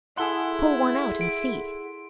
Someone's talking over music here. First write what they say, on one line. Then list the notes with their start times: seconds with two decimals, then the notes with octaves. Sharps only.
"Pull one out and see!"
0.17 E4 G#4 A4 F#5 C6 G7
1.21 D7